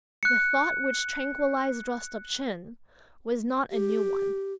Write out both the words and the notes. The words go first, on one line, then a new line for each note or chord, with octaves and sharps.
The thought which tranquillized Rostopchin was not a new one.
F#6 C#7
G4